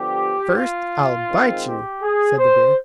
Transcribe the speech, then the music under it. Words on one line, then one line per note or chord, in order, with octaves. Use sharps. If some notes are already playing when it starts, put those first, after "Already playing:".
"First, I'll bite you," said the bear.
Already playing: D3 F3 B3 G4
F4
D#3 G#3 C4
G4
G#4
C5